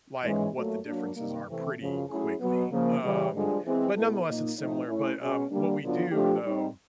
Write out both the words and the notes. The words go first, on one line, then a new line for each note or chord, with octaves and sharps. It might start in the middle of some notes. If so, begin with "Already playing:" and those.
like, what the differences are pretty quickly, um, but nonetheless, it's similar. But, um, what we do, though,
G#2 E3 G#3 C#4
A#2 F#3 A3
F#3 A#3 D4
C3 D#3 G3 A#3
C3 E3 A3 C4
F#2 C#3 F3
F#3 A3 C#4 E4 G#4
B2 F#3 B3
C#3 F3 A#3
C#3 E3 G3
G2 D3 F3 G#3
E3 G#3 C4
B2 G#3 B3 E4 A4
A#2 F3 A#3 D#4
A2 F3 A3 C4 D#4
A3 C#4 E4
B2 G#3 C#4 F#4
D3 G3 A#3 D4
D3 F#3 B3 D4 F4
F3 A3 D4 G4
G3 C4 D#4